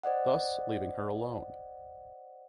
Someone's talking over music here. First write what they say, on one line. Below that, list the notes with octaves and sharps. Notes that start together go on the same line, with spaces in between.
Thus leaving her alone.
C5 D5 D#5 F#5